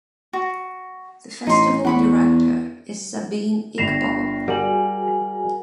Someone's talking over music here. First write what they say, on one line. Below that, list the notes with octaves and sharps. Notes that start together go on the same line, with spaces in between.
The Festival Director is Sabin Iqbal.
F#4
A1 D#4 C6
E2 F#5 B5 C#6
G1 G2 A#6 C7 E7 F7
G3 F#4 G#4 A#4 F#5 G#5 F#7